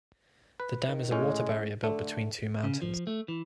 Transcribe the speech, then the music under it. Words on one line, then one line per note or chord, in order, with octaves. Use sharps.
The Dam is a water barrier built between two mountains.
B4
D#3
A2 G#3 C#4
D3 A3
C#3
F3
A3
E3